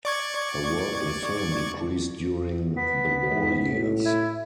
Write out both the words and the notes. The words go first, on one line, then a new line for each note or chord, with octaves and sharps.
Her work in film decreased during the war years.
D5 C#6 G#6
B3 B6
G#2
A2
E4 G#6